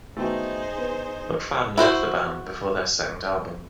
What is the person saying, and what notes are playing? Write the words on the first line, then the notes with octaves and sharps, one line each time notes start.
McFadden left the band before their second album.
B2 D#3 A3 D#4 G#4 C5
B3
E4 F#4 C5